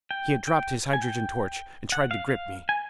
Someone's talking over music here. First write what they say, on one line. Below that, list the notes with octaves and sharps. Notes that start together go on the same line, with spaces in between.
He had dropped his hydrogen torch, and tried to grip me.
G5
G5
G#5
G5
F#5
F5
F5
G#5